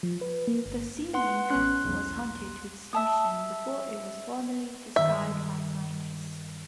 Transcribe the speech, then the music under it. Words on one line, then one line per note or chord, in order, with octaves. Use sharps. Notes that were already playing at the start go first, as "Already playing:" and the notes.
The sea mink was hunted to extinction before it was formally described by scientists.
F3
B4
A#3
G1
B4 F#5 C6
A1 B3 C#4 C6 F#6
B1 E2
E5 A5 D#6
G2 D#3 E5